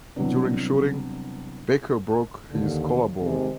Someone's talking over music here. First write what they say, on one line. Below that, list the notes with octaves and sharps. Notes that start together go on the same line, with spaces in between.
During shooting, Baker broke his collarbone.
C3 E3 F#3 G3 B3 D4
D#2 D3
C3 D#3 G#3